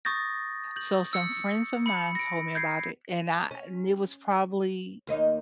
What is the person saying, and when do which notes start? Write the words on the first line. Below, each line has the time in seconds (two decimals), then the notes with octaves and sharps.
so, some friends of mine told me about it and I and it was probably,
0.05 C#6 D#6 G6 A6 A#6
0.76 G6 F#7
1.13 E6 C#7
1.86 B5 C#7
2.15 A#6 D7
2.55 G6 G#6 C7
3.51 C#4
5.07 D#2 A#3 D#4